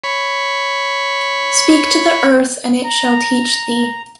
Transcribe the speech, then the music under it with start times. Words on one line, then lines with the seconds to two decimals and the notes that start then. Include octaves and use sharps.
Speak to the earth and it shall teach thee.
0.04 C#5 B5
2.84 A#5